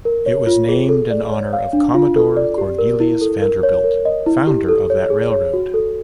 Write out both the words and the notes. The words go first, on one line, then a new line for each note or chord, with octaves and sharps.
It was named in honor of Commodore Cornelius Vanderbilt, founder of that railroad.
A#4
C#5
F4
G#4
A4
D5
C#5
F5
D4
F4
A4
D5
G4
A#4
E4
A4
A#4
C#5
A#4
D#5
E4
G4
A4
C#5
G#4
C#5
F#4
A4